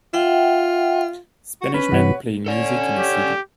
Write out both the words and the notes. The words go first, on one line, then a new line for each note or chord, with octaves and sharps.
Spanish men playing music in a city.
F4 E5 F#5 G5
F#4
C#4 B4
G2 E3 C#5 F#5
C#4 A4 D5
G4